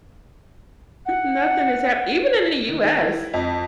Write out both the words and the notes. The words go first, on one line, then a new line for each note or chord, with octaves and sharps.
Nothing has happ even in the US,
F#5
D#3
E4
F2